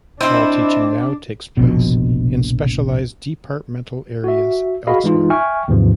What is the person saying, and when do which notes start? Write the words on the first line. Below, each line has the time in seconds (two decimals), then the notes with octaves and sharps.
All teaching now takes place in specialised departmental areas elsewhere.
0.21 C4 D4 E4 C5 D#5 G5
1.57 F1 A#1 B2
4.24 F#4 E5
4.87 F#4 G#4 D#5 F5 B5
5.04 E3 G#3 D#4 F4
5.30 E5 G5 G#5 C#6 F6
5.68 D#2 G#2 C3 E3 F3